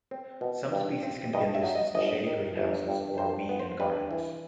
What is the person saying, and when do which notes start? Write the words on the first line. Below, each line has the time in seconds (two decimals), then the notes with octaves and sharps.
Some species can be a nuisance in shady greenhouses or a weed in gardens.
0.11 C4
0.41 B2
0.72 G2
1.03 C4
1.33 G2 D#5
1.55 E5
1.64 F#3
1.75 D#5
1.95 G1 D#5
2.27 D#3
2.57 G1
2.88 G2
3.18 G2 C5
3.49 B3
3.59 C5
3.80 G2 B4
4.11 E3